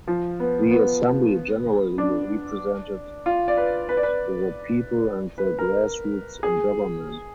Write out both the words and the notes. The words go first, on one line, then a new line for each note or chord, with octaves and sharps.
The assembly generally represented the people and the grassroots in government.
F3
B3
B3
D4
F4
D5
B4
B4
D5
B4
B4
A#4
G#4